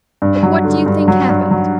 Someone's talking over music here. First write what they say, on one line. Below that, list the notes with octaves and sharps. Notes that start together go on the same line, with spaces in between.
But what do you think happened?
G2
F#3
D3
G2
F#3
G2
F#3